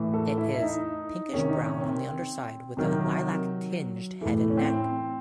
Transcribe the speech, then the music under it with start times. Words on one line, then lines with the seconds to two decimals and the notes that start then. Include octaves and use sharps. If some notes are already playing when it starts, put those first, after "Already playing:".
It is pinkish brown on the underside with a lilac tinged head and neck.
Already playing: A2 E3
0.14 A4
0.38 E4
0.54 E4
0.62 D#4
1.33 C3 D#3 C#4
1.49 D#4
1.58 C#4
1.82 C4
2.77 C3 D#3 F#3
4.21 A2 E3 A3
4.50 C#4
4.57 C4